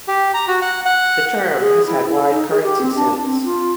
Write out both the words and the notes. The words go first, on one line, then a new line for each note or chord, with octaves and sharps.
The term has had wide currency since.
G4
A#5
F#4
F#5
F#5
G#4
E4
A4
D#4
G#4
G4
C4
D4
C4
F4